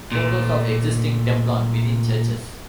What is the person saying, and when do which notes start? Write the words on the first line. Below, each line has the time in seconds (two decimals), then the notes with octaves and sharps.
Photos of existing templon within churches.
0.12 A#2 A3